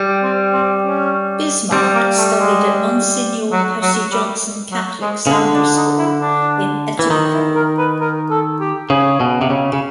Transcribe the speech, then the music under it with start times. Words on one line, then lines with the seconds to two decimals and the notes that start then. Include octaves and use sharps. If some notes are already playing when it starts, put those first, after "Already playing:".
Bismark studied at Monsignor Percy Johnson Catholic Secondary School in Etobicoke.
Already playing: G3
0.23 C4
0.53 C4
0.83 C#4
1.72 G3 C4
1.95 A#3
2.18 A3
2.39 G#3
3.52 F#3
3.82 F#3
4.12 G3
4.71 F#3
5.01 G#3
5.27 C#3
5.31 D3 G#3
5.54 D4
5.76 D#4
5.98 E4
6.21 D4
6.99 E3
7.10 D#3 D#4
7.33 E4
7.56 A#4
7.78 B4
8.01 A#4
8.30 A4
8.60 G4
8.90 C#3 G#4
9.20 B2
9.41 C3
9.50 C#3
9.73 C#3